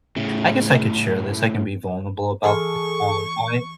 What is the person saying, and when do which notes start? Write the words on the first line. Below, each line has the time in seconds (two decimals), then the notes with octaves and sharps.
I guess I could share this, I can be vulnerable about it, um, I
0.16 A2 C#3
2.44 E3 G#4 A4 C#6 F6